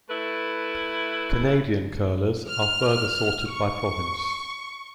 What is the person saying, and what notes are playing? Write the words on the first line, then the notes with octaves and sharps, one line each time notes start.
Canadian curlers are further sorted by province.
A3 E4 B4
F6
C#6